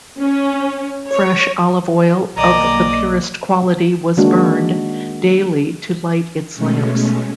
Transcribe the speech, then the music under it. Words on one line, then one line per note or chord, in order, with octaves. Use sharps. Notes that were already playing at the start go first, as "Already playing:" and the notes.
Fresh olive oil of the purest quality was burned daily to light its lamps.
C#4
C#5
B1 D#3 A#3 D5 D#5 G#5 A#5
D#3 G#3 A#3 D4 F#4
B2 G#3 A3 C#4